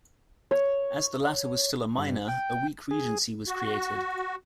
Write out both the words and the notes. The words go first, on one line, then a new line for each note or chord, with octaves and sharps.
As the latter was still a minor, a weak regency was created.
C#5
G2
G5
G#4
F#4